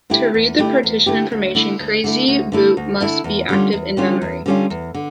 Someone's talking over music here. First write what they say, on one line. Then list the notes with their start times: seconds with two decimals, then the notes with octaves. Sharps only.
To read the partition information, Crazy Boot must be active in memory.
0.10 D3 A3 E4 G4
0.34 E2
0.58 D3 A3 E4 G4
0.83 E2
1.06 D3 A3 E4 G4
1.32 D2
1.55 D3 A3 E4
1.80 D2
2.04 D3 A3 E4
2.28 D2
2.52 D3 A3 E4
2.77 D2
3.00 D3 A3 E4
3.24 E2
3.49 D3 G3 C#4 F4
3.73 E2
3.97 D3 G3 C#4 F4
4.22 E2
4.46 D3 G3 C#4 F4
4.70 E2
4.94 D3